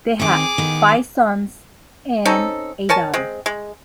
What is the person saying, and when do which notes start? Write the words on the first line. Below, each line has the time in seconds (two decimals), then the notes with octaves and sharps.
They had five sons and a daughter.
0.20 D#3 C4 G#4 D6
0.58 D#3 B3
2.25 C4 C#4 D#4 A4
2.89 A#4 C#5 G#5 A5
3.14 G#3 C4
3.46 G#3